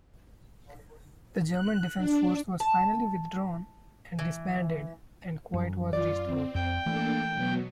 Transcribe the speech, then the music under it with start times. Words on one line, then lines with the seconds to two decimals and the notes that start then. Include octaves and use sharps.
The German defense force was finally withdrawn and disbanded and quiet was restored.
1.51 F#6
1.97 D4
2.60 A5
4.19 E3
5.54 F#2
5.93 F4 D5
6.24 C4
6.55 F2 G5
6.86 E3 A3 A#3 D4 A4
7.34 B2 F#3 B3